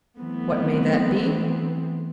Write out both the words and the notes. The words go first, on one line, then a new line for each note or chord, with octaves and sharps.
What may that be?
E3 F#3 A3 B3 C4